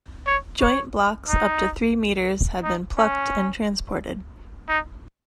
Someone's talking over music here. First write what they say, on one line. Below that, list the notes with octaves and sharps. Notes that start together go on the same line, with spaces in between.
Joint blocks up to three meters have been "plucked" and transported.
C#5
C#5
D#4
D#4
C#4
D#4